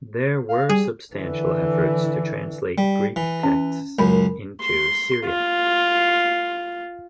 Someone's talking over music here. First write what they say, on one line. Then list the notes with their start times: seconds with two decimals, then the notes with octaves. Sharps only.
There were substantial efforts to translate Greek texts into Syriac.
0.49 F5
0.69 G3 G#4
1.14 D3 E3
2.78 G3
3.16 E3
3.43 C#4
3.99 C#2 F#2 A#4 B5
4.61 C6
5.26 F4